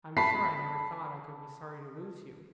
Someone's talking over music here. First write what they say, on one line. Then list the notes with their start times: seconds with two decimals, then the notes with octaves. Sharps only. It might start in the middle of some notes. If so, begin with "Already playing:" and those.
I am sure I never thought I could be sorry to lose you!'
0.17 A5 B5 B6 C7